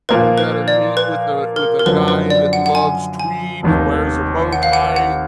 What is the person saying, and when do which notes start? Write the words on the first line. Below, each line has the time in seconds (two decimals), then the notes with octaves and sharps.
you gotta meet with a with a guy that loves tweed, wears a bow tie,
0.09 A#2 F3 A#3 F4 B4
0.38 B4
0.68 D5
0.97 B4
1.56 A#4
1.79 A#4
1.86 F#2 D3 F3 B4
2.08 B4
2.30 D5
2.53 F#5
2.66 F#5
2.75 G#5
3.20 G#5
3.63 F1 D#2 D#3
4.53 F#5
4.63 F5
4.73 F#5
4.96 F#5